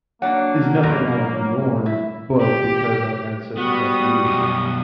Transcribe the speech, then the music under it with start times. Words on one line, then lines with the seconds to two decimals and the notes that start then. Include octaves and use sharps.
is nothing out of the norm, but because I've had such a tough week,
0.22 F#3 A#3 D4 F#5
0.83 G2 F3 A#4
1.86 E4
2.39 G4
3.57 G3 B3 F#4 D#6
4.26 F#2 B2